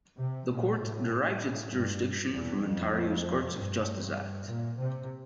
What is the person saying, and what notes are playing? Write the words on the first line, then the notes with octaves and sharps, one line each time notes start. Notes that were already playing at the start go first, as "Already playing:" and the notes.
The court derives its jurisdiction from Ontario's "Courts of Justice Act".
C3
A#2
A2
G2
E2
F2
G2
A#2
C3